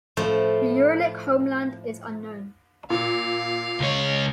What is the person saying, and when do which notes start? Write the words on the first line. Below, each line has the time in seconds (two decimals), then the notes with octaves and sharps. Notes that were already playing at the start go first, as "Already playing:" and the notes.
The Uralic homeland is unknown.
0.17 A2 F3 A3 C5
2.90 A#2 F5
3.80 C#2 C#5